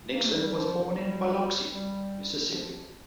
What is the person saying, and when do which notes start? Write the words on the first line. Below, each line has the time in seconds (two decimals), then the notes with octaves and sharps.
Nixon was born in Biloxi, Mississippi.
0.13 A#3
0.24 A3
0.33 G3
0.43 G3
0.53 F3
0.93 G3
1.73 G3
2.53 F3